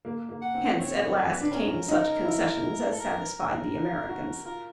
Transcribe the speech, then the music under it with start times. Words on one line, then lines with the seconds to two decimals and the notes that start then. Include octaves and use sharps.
Hence, at last, came such concessions as satisfied the Americans.
0.05 A#3
0.29 A#3
0.42 F#5
0.54 C4
0.78 C4 C#5
1.15 B4
1.41 D4
1.52 C#4 A#4
1.88 D#4
2.25 E4
2.91 A4
2.99 A#4
3.36 A#4
4.09 F#4
4.45 F4 A#4